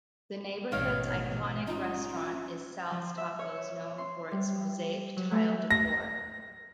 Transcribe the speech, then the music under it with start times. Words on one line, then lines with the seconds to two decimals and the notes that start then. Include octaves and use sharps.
The neighborhood's iconic restaurant is Sal's Tacos, known for its mosaic tile decor.
0.72 A1 G#2 B2 D#3 C#5 F5
1.67 C#4 D#4 F4
2.91 F3
3.17 E5
3.39 C#5
3.98 C6
4.31 G3
5.17 F#3
5.31 A3
5.71 A#6